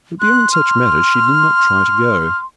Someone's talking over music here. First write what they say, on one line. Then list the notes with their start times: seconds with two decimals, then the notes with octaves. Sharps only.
But beyond such matters she did not try to go.
0.20 C6 F#6
0.53 F6